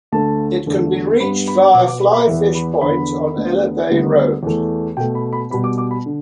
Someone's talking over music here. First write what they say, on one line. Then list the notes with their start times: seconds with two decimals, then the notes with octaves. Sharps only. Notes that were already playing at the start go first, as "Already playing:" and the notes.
It can be reached via Fly Fish Point on Ella Bay Road.
0.12 D2 D3 A3 A5
0.66 E2 D3 A3
1.20 G2 G3 B3 B5
1.48 B5
1.74 B2 B3 D6
1.88 D6
2.01 B5
2.14 B5
2.27 E2 E3 B3 E5
2.55 B5
2.81 E2 D3 B3 B5
3.36 D2 D3 B3
3.89 D2 D3 G3 B3
4.43 E2 E3 A3
4.97 B2 A3 G5
5.15 B5
5.33 B5
5.50 B2 G3 B3 B5
5.64 D6
5.78 D6
5.91 B5
6.06 D3